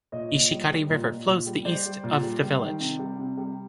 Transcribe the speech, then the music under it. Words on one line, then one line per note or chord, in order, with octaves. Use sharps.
Ishikari River flows the east of the village.
A#2 C#5 D#5
A#2
G3
G3
A#2
A#2
A#2
G3
G3 C5 D5
G3
A#2
G3
G3
D#3
C3
G3
C3
G3